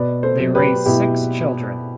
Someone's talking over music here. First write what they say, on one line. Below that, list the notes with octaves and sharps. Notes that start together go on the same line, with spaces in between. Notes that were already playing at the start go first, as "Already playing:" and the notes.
They raised six children.
Already playing: B2 B4 D5
A4 C5
F#3
G4 B4
B2 E4 G4